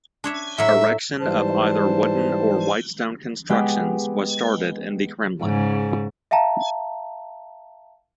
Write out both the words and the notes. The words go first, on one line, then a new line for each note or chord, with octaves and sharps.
Erection of either wooden or white-stone constructions was started in the Kremlin.
D4 C#5 E5
A2 F#3 E5
G#2 E3 G3 C5 A5
G#3 B3 G4
G#2 C#3
E5 F5 G5 A5 A#5